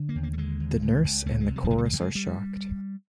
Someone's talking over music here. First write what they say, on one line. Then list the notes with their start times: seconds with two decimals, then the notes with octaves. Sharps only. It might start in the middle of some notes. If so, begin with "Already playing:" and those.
The nurse and the chorus are shocked.
Already playing: D3
0.09 A#3
0.15 D#2
0.23 A#3
0.33 A3
0.38 D3 G#3
0.60 D#2
0.82 C#2
1.04 C#2
1.26 C#2 A3
1.40 G#3
1.48 C3
1.56 F#3
1.64 F3
1.71 C#2 E3
1.78 G3
1.85 G#3
1.93 C#2 G3
2.00 G#3
2.15 G3